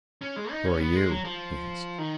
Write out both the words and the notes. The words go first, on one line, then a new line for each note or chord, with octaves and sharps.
"Who are you?" he asked.
C#4
G#3
D#4
C#4
B3
G#3
F#3
F3
D#3